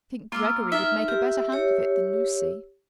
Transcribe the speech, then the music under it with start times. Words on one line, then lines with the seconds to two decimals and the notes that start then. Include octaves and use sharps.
"I think Gregory would make a better hand of it than Lucy."
0.32 A#3 F4 A#4 D6 E6
0.72 D#4 F4 A#4 E5
1.08 G4
1.52 G4 C#5